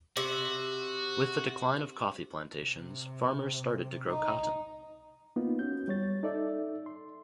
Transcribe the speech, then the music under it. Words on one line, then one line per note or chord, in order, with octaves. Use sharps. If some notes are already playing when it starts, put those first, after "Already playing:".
With the decline of coffee plantations, farmers started to grow cotton.
C3 F#4
C3
D#4
A#3 B3 D#4 F4 B4
C#4 F#4 G6
G3 C#5 A6
D#4 A4 D5 E5
C6